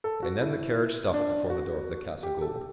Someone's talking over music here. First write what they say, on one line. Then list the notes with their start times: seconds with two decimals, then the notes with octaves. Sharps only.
And then the carriage stopped before the door of the Casa Gould.
0.04 A4
0.23 F#4
0.41 E4
1.14 D4
1.50 F#4
2.23 G4
2.37 G4
2.42 A4